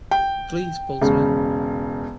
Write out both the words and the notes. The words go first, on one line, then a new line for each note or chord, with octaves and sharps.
Please, postman.
G5
E1 C#3